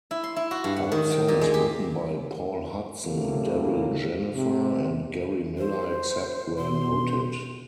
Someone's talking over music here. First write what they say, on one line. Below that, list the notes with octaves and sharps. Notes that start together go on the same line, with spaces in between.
All songs written by Paul Hudson, Darryl Jenifer, and Gary Miller except where noted.
E4
C6
E4
F#4
G2
F#5
D#3
G5
A#2
G#3
G4
E2 A2 C3 F#3 A3 A#3
C3
C5
B2 C6